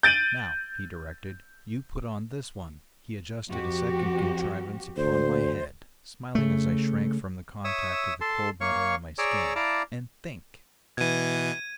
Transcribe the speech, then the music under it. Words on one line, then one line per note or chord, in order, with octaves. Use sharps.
"Now," he directed, "you put on this one"--he adjusted a second contrivance upon my head, smiling as I shrank from the contact of the cold metal on my skin--"and think!"
G6 A6 D7 D#7 F#7
F2 F#4 G4
D2 C5
C#3 A3
C#5 E5 D#6 E6
A4 A5 C6
A#3 C#5 F5 C#6
G#4 C#5 D5 A#5 D6 E6
E4 D5 F5 A5 A#5 D6
B2 E3 G#6 D#7